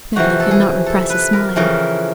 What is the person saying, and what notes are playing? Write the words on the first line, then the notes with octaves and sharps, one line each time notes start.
Beverly could not repress a smile.
F2 C3 E3 F#4
A4
G#4
A4
B4
A#4
F2 C#3 E3 A#4